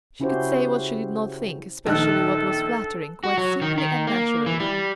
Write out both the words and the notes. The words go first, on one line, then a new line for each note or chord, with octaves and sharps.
She could say what she did not think--especially what was flattering--quite simply and naturally.
C#3 C#4 E4 F#4 G4 C5
A#1 D#3 A4 F#6
F#4
F#3
D#3
D#3
A#3
E3
G3